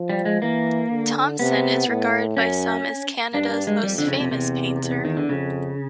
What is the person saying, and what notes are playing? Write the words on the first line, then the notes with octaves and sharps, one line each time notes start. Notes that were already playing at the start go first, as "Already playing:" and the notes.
Thomson is regarded by some as Canada's most famous painter.
Already playing: F3
G3
G#3
E3 A#3
D3
C3 B3
A2
F#2 C#4
G2 D4
D4
G#3
F2 G3
D3
C#3
C3
E2 C3
E2
D#3
D3
F2 C#3